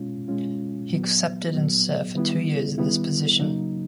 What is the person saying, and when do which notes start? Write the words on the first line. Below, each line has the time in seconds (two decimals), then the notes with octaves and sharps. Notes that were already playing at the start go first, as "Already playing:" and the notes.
He accepted and served for two years in this position.
Already playing: B2 G#3 C#4 F4
0.28 B2 G#3 C#4 F4
0.90 A#2 F#3 B3
1.53 A#2 F#3 B3
2.15 D#3 G3 B3 E4
2.78 D#3 G3 B3 E4
3.41 C#3 F#3 A#3 D#4